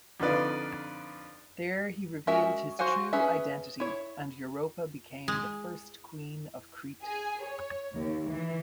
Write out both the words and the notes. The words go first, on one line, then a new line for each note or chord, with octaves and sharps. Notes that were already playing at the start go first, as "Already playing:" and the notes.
There he revealed his true identity, and Europa became the first queen of Crete.
F2 D3 D#4 F4 B4 D5
G#3 C#4 F#4 A#4 E5
F#4 C5 F5 F#5 G#5
C#4 G#4 B4 E5
E4 C#5
G#3
G#4
C#5
D#2
E3